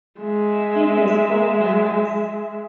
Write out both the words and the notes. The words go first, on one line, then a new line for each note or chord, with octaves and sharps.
He has four brothers.
G#3 E5